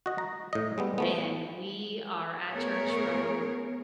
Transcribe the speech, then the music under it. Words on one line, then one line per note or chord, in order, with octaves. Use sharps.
and we are at church from
F#4 D#5
A#5
A2 D#5
G3 G#3 B3
F3 A3 B3
A3 B3 G#4 A#4 C#5